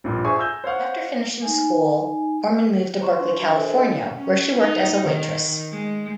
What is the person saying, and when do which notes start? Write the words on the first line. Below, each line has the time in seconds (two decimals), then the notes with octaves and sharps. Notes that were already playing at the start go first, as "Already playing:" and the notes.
After finishing school, Orman moved to Berkeley, California, where she worked as a waitress.
0.04 A#1 G2 A#2
0.24 F4 G#4 C5 E5 G#5 C#6
0.37 G#5 A#5 E6 G6
0.64 C5 C#5 F5 F#5
1.42 D#4 G#5
3.00 C5 C#5 A#5 C6 C#6
3.21 D4
3.38 D4 F#4 E5
3.57 A4 A#4 C5 C#5 D#5 G#5
3.75 A#4 D#5
4.15 C#4
4.57 D#4
5.04 D#3
5.72 G#3